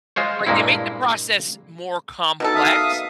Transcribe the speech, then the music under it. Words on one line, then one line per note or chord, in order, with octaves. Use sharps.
Like, they make the process more complex.
G#3 F4 C5 C#5
G2 A#2 G#3 A#3 C4 E4
B2 D#3 A4
E5 F5 D#6